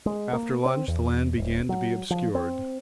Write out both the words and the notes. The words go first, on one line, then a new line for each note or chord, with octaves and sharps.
After lunch the land began to be obscured.
G#3
A#3
C4
E2
D#1
F#3
F3
C4